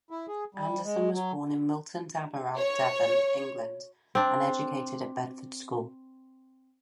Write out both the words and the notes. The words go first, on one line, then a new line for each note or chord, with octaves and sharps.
Anderson was born in Milton Damerel, Devon, England and educated at Bedford School.
E4
G#4
G3
G#3
F#3
C#5
C4 D4